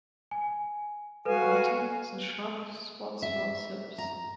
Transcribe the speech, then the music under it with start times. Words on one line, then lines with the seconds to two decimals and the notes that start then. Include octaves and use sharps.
In autumn, the shrub sports rose hips.
0.31 G#5
1.25 F#4 A4 B4 F5 G#5
3.22 E5
3.98 A#5